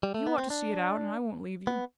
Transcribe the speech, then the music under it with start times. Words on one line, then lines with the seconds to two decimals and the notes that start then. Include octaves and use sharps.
You ought to see it out, and I won't leave you.
0.03 G3
0.14 A3
0.27 B3
0.38 C4
0.50 D4
1.67 B3